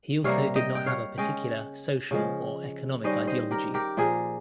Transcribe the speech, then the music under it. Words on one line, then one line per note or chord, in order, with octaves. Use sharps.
He also did not have a particular social or economic ideology.
C3 G3 A#3 C#5 F5
D#5 G5
G5
C#5 F5
C#3 G#3 C#4 D#5 G5
C#3 F3 G#3
D#3 G3 C#4 C5 D#5
C5 D#5
G4 A#4
G4 A#4
A#2 F3 A#3 F4 G#4